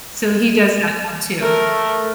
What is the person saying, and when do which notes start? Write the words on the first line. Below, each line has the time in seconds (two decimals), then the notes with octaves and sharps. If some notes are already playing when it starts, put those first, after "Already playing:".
So, he does that now too.
1.41 A3 A#4